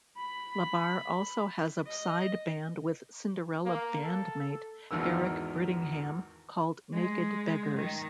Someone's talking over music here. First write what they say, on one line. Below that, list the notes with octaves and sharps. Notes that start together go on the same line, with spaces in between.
LaBar also has a side band with Cinderella bandmate Eric Brittingham called Naked Beggars.
B5
D#5
A#3
A4
G#1 E2 D#3 A#4 E6
G#3
D#3